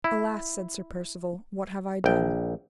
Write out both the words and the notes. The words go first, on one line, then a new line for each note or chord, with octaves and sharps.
Alas, said Sir Percivale, what have I done?
E4
A#1 G5